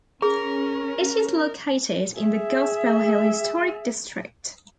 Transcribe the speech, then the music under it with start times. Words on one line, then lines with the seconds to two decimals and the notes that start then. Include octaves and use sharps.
It is located in the Gospel Hill Historic District.
0.22 C#4 G#4 A#4
2.19 G#4 E5